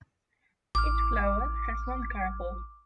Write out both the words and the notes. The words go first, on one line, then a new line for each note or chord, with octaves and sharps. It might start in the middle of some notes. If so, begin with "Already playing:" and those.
Each flower has one carpel.
A1 D6 F6